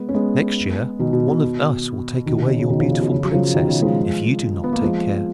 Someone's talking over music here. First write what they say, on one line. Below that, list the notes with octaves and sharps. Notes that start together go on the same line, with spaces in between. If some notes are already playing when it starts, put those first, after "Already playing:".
Next year one of us will take away your beautiful princess, if you do not take care.
Already playing: G#3 B3
C#4
G#3 B3
B2 D#3
B2
B2
B2 D#3
B2
C#3
C#3
B2 D#3
C#3 F3
C#3
B2
C#3
F#3
C#3 F3
B2 D#3
C#3
F3 G#3
B3
A#3
F3 G#3